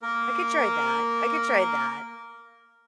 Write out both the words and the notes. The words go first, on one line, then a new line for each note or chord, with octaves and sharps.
I could try that, I could try that.
A#3 A#4